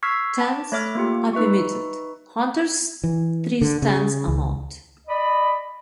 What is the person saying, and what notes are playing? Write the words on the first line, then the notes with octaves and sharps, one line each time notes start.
Tents are permitted; hunters' tree stands are not.
C#6 E6 F6 G#6 B6 C7
A5 D6
A3 C#5 E5 D6 F6
A#3 F4 G4
D#4 B4 E5 C#6
E3
D3
C#3
C#2
D5 D#5 B5